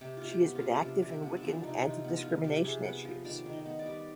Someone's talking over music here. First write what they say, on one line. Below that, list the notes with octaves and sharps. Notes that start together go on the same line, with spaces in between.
She has been active in Wiccan anti-discrimination issues.
C3 G4
C3 F4
G4
B3
F4
F3
C3 D4
C3
C4
B3
D4
F3 C4
D4
C3 D#4
C3
F4
B3
F4
F3
C3 G4
C3 G#4
B3 B4
F3
D#3 D5
D#3
D#5
B3
D5
G3